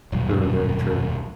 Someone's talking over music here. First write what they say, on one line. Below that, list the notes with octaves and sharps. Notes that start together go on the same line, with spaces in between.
True, very true.
D#1 B1 G2 F#3